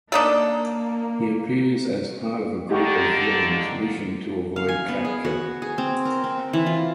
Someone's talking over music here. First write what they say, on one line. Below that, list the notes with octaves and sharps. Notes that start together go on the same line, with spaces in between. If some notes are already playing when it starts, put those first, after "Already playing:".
He appears as part of a group of villains wishing to avoid capture.
A#3 D4 D#4 A4
D3 A#3 D#4 G4 F#5 C#6
F5
G#5
B3
G#4
F#4
G#4
C4
A#4
C4
E3
F4